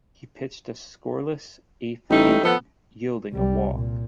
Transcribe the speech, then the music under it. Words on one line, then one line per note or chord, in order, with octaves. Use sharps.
He pitched a scoreless eighth inning, yielding a walk.
A1 G3 A3 D#4
F3 B3 A4
C2 G3
A#2